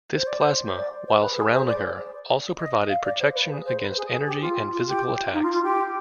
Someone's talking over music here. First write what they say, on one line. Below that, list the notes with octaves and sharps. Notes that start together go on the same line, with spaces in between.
This plasma, while surrounding her, also provided protection against energy and physical attacks.
C5
D5
C5
D5
C5
G#4
B4
G#4
C5
D5
D#5
F5
D5
C5
B4
G#4
C5
B4
G#4
G#4
G4
F4
F4
G4
D#4
F4
F4
G4